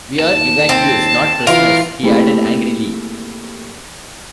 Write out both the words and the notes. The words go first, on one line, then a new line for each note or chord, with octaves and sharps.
We're evacuees, not prisoners, he added angrily.
D#2 A5
C4
E3 F4 A#4
A3 A#3 C4 E4 G4 G#4